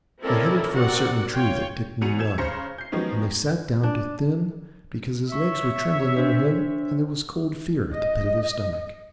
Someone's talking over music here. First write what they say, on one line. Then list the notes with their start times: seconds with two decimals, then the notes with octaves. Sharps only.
They headed for a certain tree that Dick knew well, and they sat down to thin, because his legs were trembling under him and there was cold fear at the pit of his stomach.
0.22 C4 C#4 E4 A4 A#4 D5
0.73 C4 F#4 A#4 D5 F#5
1.32 F4 C#5 G5
2.01 E2 F#4 C#7 D#7 F7
2.19 E6 G6 G#6 E7
2.38 C#3 C5 A#5 A#6 C#7
2.78 G6 C7
2.92 D#3 F3 F#3 G#3 B3 C#4
3.83 D4
5.32 C#5 E5 C#6
6.17 D4 C5
7.92 D#5